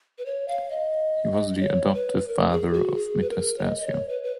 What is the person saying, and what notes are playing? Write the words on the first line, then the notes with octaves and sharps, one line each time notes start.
He was the adoptive father of Metastasio.
B4
C#5
F5
D#5
C#5
B4
A#4
G#4
F#4
G#4
B4
A#4
C#5
D#5
D#5
C#5
B4
B4